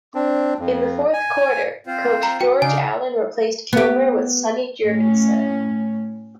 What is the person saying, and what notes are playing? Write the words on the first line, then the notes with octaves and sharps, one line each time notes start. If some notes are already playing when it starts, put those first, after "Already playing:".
In the fourth quarter, coach George Allen replaced Kilmer with Sonny Jurgensen.
C4 D4
F2
G#5
C4 F4 C5
A#5
F#4 G5
C#3 D4 D#4 F5 G#5
B3 G4
A2 C#4